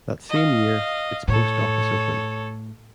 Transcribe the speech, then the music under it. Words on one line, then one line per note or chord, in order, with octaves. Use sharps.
That same year, its post office opened.
D#5 F5
A2 A4 C#5